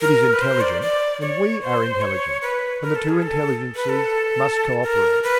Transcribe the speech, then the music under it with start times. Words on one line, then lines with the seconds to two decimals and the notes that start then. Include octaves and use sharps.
It is intelligent and we are intelligent, and the two intelligences must co-operate.
0.01 A#4
0.33 B4
0.41 C5
0.61 D5
0.82 D5
1.21 C#5
1.62 C5
2.01 C#5
2.42 B4
2.83 A#4
2.95 A4
3.09 G#4
3.22 A4
3.75 B4
3.89 A4
4.83 A#4
5.23 B4